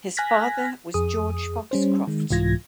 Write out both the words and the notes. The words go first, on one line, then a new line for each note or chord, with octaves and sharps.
His father was George Foxcroft.
G#5 F6 F#6 G#6 A#6 B6
F2 G#4 D#6
G3 C#4 C5
D#3 G#3
C2 G#2 E3 F4 G#6 A#6